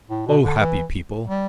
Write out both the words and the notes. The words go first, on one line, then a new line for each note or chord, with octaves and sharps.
O happy people!
A2
B2
D3
E3
G3